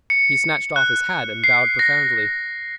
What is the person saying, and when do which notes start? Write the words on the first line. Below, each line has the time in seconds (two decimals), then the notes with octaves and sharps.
He snatched off his hat and bowed profoundly.
0.10 C#7
0.76 F#6
1.44 C7
1.79 A#6